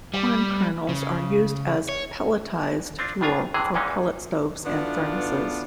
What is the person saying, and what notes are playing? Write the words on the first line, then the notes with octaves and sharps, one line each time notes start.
Corn kernels are used as pelletized fuel for pellet stoves and furnaces.
G3
C#3
C#5
C4 D4 F4
A2 C#3 D4 F4 G#5 A#5
A2 C3 E3 G#3 G#4
E2 A#2 E3 G#3 C#4 D#4
B2 E3 B3 D4 F4 A4